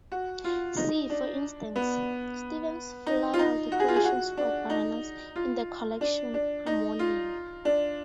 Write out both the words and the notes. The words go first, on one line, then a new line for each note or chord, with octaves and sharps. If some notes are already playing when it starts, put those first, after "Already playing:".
See, for instance, Stevens's "Floral Decorations for Bananas" in the collection "Harmonium".
F#4
F4
D#4
D4
B3
D#4
F4
D#4
F#4
G#4
F4
G#4
F#4
D4
D#4
F4
D4
D4
D#4
F4
D4